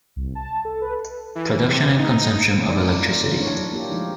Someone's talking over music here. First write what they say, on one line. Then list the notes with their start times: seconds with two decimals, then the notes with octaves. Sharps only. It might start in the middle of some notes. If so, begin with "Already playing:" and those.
Production and Consumption of electricity.
0.16 C2
0.35 A5
0.65 A4
0.81 B4
1.35 E3
1.68 C3
1.98 D#4
2.69 F3 A3 D#4 D5
3.00 F4
3.40 D4 E4 C#5
3.73 A#3 F4 G4
3.92 F3 G#3 D#4